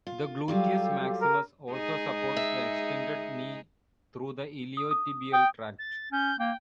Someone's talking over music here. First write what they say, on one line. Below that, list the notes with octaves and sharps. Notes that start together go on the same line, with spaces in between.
The gluteus maximus also supports the extended knee through the iliotibial tract.
F4
F#3 G3 F4 G4 A4 F5
A#4
G#3 D#4 G#4
E5
D#6
D#6
G5 D#6
A6
C#4 G6
A#3 G5